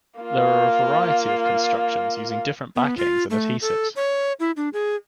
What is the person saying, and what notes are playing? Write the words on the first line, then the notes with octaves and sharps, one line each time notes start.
There are a variety of constructions using different backings and adhesives.
A#3 F4
B3
F4
A3
A4
C#5
E4
D4
G#4